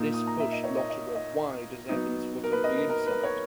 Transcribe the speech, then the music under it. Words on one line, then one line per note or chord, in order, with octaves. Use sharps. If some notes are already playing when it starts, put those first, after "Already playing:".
This pushed Lotterer wide as Evans was on the inside.
Already playing: A#2 A#3 D#4
D#6
A#5
E5
D#5
C#5
D#5
D#5
D#5
F#3 B3 D#4
A#4
B4
D#5
A#4
A#4
B4
C#5